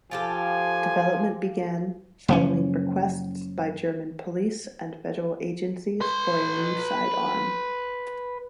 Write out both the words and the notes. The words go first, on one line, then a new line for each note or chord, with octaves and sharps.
Development began following requests by German police and federal agencies for a new sidearm.
F3 F4 G4 A4 G#5
F#1 F3 C#4
B4 C6